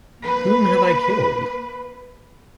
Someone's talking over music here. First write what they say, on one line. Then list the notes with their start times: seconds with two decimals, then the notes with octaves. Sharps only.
Whom have I killed?
0.20 A#3 B4